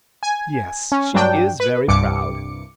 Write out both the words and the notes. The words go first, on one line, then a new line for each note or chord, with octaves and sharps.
"Yes, she is very proud."
G#5
C#4
G2 F#3 D4 G5
B4
C2 G2 D6 C#7